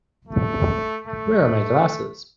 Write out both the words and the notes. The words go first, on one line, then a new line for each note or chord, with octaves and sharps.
Where are my glasses?
A3
A3